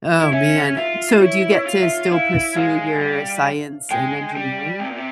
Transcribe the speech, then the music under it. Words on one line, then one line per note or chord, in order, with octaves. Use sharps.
Oh, man. So, do you get to still pursue your science and engineering?
E4
C#4 E5
F4 E5
E4 C#5
C#5
F4
E5
E4 F5
G#3 F5
G3
G#3 G5
G3
C3
A#2
C3